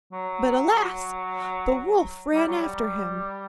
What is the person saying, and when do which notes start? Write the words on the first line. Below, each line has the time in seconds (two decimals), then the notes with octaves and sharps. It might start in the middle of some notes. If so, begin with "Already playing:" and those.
But, alas! the wolf ran after him.
0.12 F#3
2.34 G3
2.47 F#3
2.60 G3